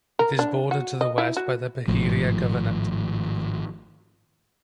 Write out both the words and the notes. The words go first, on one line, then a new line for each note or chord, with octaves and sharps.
It is bordered to the west by the Beheira Governorate.
A#4
D4
F#4
D#5
E4
F#4
G#1 A2 F3